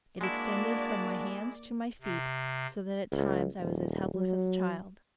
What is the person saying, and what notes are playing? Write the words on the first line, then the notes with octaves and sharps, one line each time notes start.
It extended from my hands to my feet so that at times I was as helpless as a child.
G#3 A#3 D4 E4 F#4 D5
C3
C#2
D#1
F#3